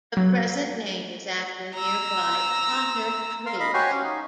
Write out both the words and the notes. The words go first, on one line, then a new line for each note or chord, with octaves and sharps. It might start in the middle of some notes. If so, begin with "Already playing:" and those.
The present name is after nearby Otter Creek.
F#3
A#5 E6
A#4 F5 C6
D#5 F5 B5
F#4 G4 C5 C#5 F5 G#5
C#4
D#4